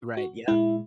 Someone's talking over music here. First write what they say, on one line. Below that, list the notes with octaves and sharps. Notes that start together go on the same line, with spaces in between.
Right, yeah.
F#4
A#2 G#3 E4